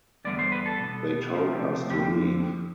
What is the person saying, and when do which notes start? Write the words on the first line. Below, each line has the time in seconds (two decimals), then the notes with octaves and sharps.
They told us to leave.
0.24 E2 D3 G3 B3 D5
0.39 C5
0.52 B4
0.66 A4
0.80 B2 B3
1.35 C3 F3 A3 C4
1.90 F2 D3 F3 C4 G4